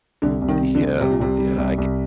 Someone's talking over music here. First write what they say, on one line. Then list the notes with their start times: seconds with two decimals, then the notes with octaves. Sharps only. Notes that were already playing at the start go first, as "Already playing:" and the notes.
Yeah, yeah. I can
0.22 C2 D3
0.42 C2
0.48 D#3
0.61 C3
0.75 D3
0.81 C2
1.00 C2 C3
1.11 A#2
1.20 C2 C3
1.39 G3
1.58 C2
1.78 C2